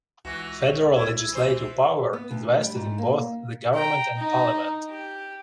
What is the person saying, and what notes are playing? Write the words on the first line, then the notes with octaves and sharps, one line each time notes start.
Federal legislative power is vested in both the government and parliament.
C#2 E3 F#4
E4
E3 C5
B3
D2
G3
G#2
A#3
G5 A#5
D#4
G4